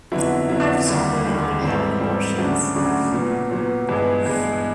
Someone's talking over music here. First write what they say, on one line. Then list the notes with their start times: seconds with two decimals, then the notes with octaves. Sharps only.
I've talked women out of having abortions.
0.12 F2 D3 F#3 B3 E4
0.49 F2 D3 F#3 B3 E4
0.87 D#2 D3 G3
1.25 D#2 D3 G3
1.62 G#2 E3 G3 C4
2.00 G#2 E3 G3 C4
2.38 D2 C#3 F#3 A3 D4
2.76 D2 C#3 F#3 A3 D4
3.12 A#2 F#3 B3
3.51 A#2 F#3 B3
3.89 G2 E3 G#3 B3
4.25 G2 E3 G#3 B3